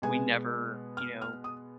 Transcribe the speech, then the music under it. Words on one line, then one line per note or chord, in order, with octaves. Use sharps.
we never you know,
B2 G#3 B3 G#5
F6
F6
D#6